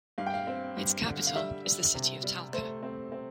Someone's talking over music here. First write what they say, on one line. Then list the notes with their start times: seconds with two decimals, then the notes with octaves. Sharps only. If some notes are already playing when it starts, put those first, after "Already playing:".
Its capital is the city of Talca.
0.18 G2 F5
0.26 G5
0.34 F5
0.47 C4
0.77 G2
1.06 D3
1.27 F5
1.35 G3 E5
1.65 G3
1.94 C3
2.24 G3
2.53 A3 C5
2.83 C4
3.12 C4